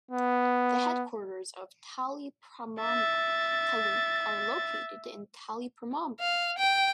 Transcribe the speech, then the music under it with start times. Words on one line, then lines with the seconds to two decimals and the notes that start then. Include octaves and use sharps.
The headquarters of Taliparamba Taluk are located in Taliparamba.
0.11 B3
2.80 E5 A6
6.20 F5
6.58 G5